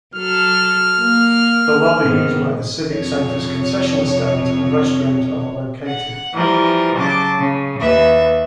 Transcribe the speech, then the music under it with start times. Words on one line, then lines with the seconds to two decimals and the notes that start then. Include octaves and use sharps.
The lobby is where the Civic Center's concession stands and restrooms are located.
0.15 F#3 A4 F6
0.99 A#3
2.00 G#2 D#3 B3
2.92 F2 C3 C#5
5.88 F#5
6.34 E3 F3 G3 A#4
6.96 C#3 F#3 A5 D6
7.39 C#3
7.80 D#2 B4 E5